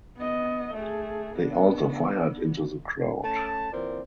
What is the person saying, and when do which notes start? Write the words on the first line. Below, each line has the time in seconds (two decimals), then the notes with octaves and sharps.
They also fired into the crowd.
0.17 B3 D#5
0.74 A3 G#4
1.36 B3 D4
3.24 A3 C#4 A5
3.72 A#2 E3 C4 A#4 D5